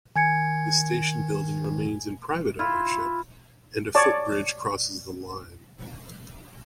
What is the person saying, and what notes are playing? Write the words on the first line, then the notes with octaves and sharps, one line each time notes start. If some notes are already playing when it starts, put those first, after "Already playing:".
The station building remains in private ownership, and a footbridge crosses the line.
D#3 G#5 G#6 C#7
E4 F4
C#5 D5 A5